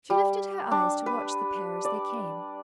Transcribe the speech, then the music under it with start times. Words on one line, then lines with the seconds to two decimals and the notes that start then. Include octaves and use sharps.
She lifted her eyes to watch the pair as they came.
0.10 G3
0.71 D4
1.06 B4
1.85 D5